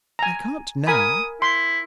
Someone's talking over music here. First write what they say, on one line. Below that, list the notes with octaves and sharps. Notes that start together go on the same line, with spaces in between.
"I can't now."
G#5 A#5
A#4 G#5 B5 D#6
E4 C6